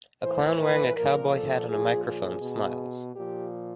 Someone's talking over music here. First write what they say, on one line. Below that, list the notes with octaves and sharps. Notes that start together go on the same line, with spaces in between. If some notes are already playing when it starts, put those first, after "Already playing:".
A clown wearing a cowboy hat and a microphone smiles.
A2 E3 C5
B4
A#2 F3 A#4
A4
A#2 F3 G#4
G#4
B2
A#2 F3 G4